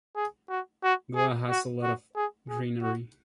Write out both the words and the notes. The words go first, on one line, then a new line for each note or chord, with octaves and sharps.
Goa has a lot of greenery.
G#4
F#4
F#4
G#4
F#4
F#4
G#4
G#4
F#4